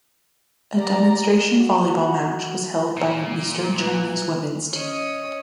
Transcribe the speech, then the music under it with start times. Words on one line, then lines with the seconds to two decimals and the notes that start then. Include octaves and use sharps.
A demonstration volleyball match was held by an Eastern Chinese women's team.
0.76 G3 D5 A#5
1.57 F#4
2.97 A#2
3.78 E3
4.72 C#4 C#5 D#5